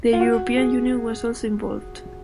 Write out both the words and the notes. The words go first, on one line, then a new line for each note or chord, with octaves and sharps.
The European Union was also involved.
F4
F#4
G#4